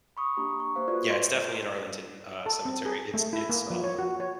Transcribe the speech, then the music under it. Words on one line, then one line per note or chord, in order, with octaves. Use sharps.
Yeah, it's definitely in Arlington, uh, Cemetery, it's it's, um
B5 C#6 D#6
A#3 D4 G4 A#5
C#6
A#3 G4 C5 F5
F4 F#4 A4 B4 D5
C6
A4
C4
G#4
A3
E4
A#3
F3
C#5
F#4
C#5